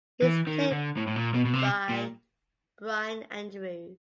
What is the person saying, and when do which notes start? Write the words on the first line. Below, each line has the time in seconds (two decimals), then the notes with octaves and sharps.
He is played by Brian Andrews.
0.22 E3
0.47 D#3
0.72 D3
0.97 A2
1.07 A2
1.16 A#2
1.34 B2
1.45 B2
1.54 C3
1.90 A#2